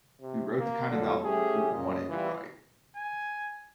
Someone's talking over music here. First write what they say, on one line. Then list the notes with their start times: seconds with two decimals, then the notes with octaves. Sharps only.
We wrote the kind of album we wanted to write.
0.21 C3
0.59 A#3
0.89 F2 D3 F#3 A4
1.24 A3 C#4 G4 G#4
1.71 F#2 A#2 C#3 D#5
2.09 E3 G3 F4
2.96 G#5